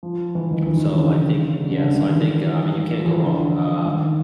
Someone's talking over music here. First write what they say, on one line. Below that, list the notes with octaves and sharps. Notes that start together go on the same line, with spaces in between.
So I think yeah. So I think, uh I mean, you can't go wrong, uh,
F3
E3
D#3
E3
D#3
D3
C#3
D3
C#3
D3
D#3
E3
E3
F3
E3
D3
D#3